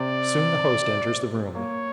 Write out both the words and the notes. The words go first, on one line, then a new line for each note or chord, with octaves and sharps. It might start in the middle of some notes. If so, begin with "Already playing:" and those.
Soon the host enters the room.
Already playing: C3 C4 D5
A#3 C#5